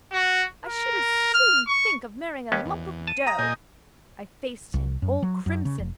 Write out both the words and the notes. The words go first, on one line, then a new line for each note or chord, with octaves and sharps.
I should as soon think of marrying a lump of dough.' I faced him all crimson.
F#4
A#4
F6
C#6
D#2 G3 B3 C#4
E2
A5 D#7
A#5 D#6 A#6
A#2 D#5 G#5 G6
C2
F#2
F#3
F#2
C#3
F1